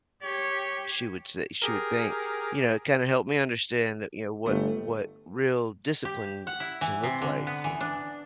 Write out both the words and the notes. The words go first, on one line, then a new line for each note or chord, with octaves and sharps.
she would say she would think, you know, it kinda helped me understand that, you know, what what real discipline can look like, you know?
G4 C#5
G4 G#4 A#4
G1 A3
G4
F#5
E4
E3
C3
D3
B3
E3
D4